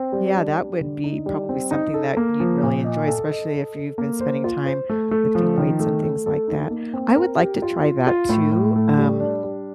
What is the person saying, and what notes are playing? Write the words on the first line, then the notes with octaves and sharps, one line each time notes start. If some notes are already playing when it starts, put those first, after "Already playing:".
Yeah, that would be probably something that you'd really enjoy, especially if you've been spending time lifting weights and things like that. I would like to try that too, um,
Already playing: C4
G3
D4
G3
D3
D#4
G3
C4
D#4
A4
A#3
F3
A#2
D#5
A4
D#5
A4
A4
A#3
C5
F4
C5
A3
A3
F3
D#3
A3
A3
A4
D#4
A#3
C4
A#4
G4
F4
F4
F4
A2
A2
A3
G3
D4
G3